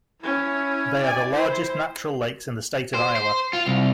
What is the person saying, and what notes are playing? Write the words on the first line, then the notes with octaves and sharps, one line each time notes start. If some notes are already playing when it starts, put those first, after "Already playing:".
They are the largest natural lakes in the state of Iowa.
C#4 E4
D5 G#5
E4 C5
C5
C5
F4
C2